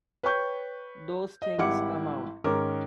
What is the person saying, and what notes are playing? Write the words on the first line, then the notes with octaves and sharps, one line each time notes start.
Those things come out.
B4 C#5 G5 C#6 G6
D#5
G#1 G3 E4 F#5 D6 C#7
G#2 D#3 C#4 A#4 D6